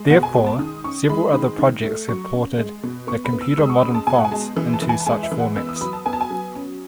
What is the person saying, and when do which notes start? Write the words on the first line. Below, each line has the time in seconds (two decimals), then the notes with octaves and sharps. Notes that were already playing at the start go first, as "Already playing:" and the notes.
Therefore, several other projects have ported the Computer Modern fonts into such formats.
Already playing: G#3
0.10 B2 F#5
0.23 G#5
0.34 G#3 G#5
0.46 A5
0.59 D#3 D#6
0.84 C#4 C#6
1.09 G#3 B5
1.33 D#3
1.59 D#3
1.84 A3
2.08 F#3 C#6
2.33 C#4
2.58 G#3
2.83 B2
3.07 B3 C#6
3.25 B5
3.33 B3
3.41 E6
3.58 G#3 D#6
3.70 C#6
3.82 C#4 B5
3.95 A5
4.07 B2 G#5
4.18 F#5
4.25 G#5
4.31 G#3 A5
4.56 E3
4.74 A5
4.82 E3
4.89 G#5
5.00 A5
5.06 G#3 G#5
5.23 E5
5.32 E3
5.40 F#5
5.56 B3 E6
5.69 D#6
5.81 F#3 B5
5.93 A5
6.06 B3 G#5
6.13 A5
6.21 G#5
6.30 F#3
6.55 C#4